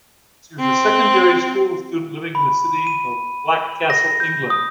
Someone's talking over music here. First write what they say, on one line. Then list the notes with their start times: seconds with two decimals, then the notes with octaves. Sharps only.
She was a secondary school student living in the city of Blackcastle, England.
0.60 C4
2.35 B5
2.87 D#7
3.90 A#6
4.20 G6
4.50 D#6